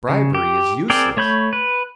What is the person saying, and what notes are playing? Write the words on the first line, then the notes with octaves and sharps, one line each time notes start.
Bribery is useless!
C#3
G4
C4 G#4 A#4 D5 G5
A3 C#5 B5 G6
B4